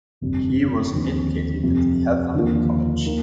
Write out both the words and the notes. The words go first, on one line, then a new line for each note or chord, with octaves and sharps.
He was educated at Eltham College.
G1 F2 C3 G3
D#2 D3 F3 C4
F2 C3 F3
D#2 D3 F3 A#3 F4
D#3 A#3